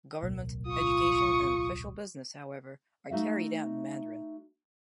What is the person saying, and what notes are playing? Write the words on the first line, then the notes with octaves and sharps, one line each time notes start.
Government, education, and official business, however, are carried out in Mandarin.
D1 B1 A#3
F4 C#6 D#6
A3 D#4 F#4 E5 F5